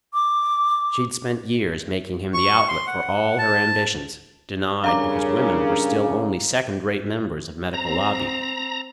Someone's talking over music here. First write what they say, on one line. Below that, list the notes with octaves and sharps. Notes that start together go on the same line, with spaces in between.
She'd spent years making him the outlet for all her ambitions, denied because women were still only second-rate members of Medical Lobby.
D6
C#6
C6
F#5
A5
G2 C#3 C#4 A#4 F5 A#5 D6
C4 A#5